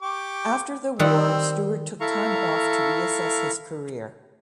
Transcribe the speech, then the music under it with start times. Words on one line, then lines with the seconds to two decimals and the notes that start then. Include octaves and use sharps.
After the war, Stewart took time off to reassess his career.
0.02 G4 C#6 D6
0.99 D#3 G3 C4 F#5 E6
2.00 E4 A4 F5 A#5 C#6